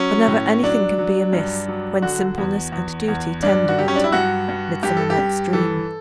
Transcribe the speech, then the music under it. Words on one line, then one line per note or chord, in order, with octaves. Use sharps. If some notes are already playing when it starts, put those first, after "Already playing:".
'For never any thing can be amiss When simpleness and duty tender it.' MIDSUMMER NIGHT'S DREAM.
Already playing: F#3 C#4
A2
F#3 D4
F#3
G2
F#3
D3 F#4
E2
E2
E2
G2 D4
F#4
F#3 G4
C#4
D4
E4
G2 F#4
G2
G2 G4
A4
G4
G2
E3 A4